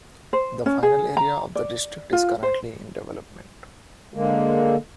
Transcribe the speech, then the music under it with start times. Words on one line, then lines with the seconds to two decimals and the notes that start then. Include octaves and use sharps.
The final area of the district is currently in development.
0.33 C5
0.66 C#4
0.83 G#4
1.17 A#5
1.55 D5
2.13 F4
2.43 C5
4.14 D3 G#3 A#3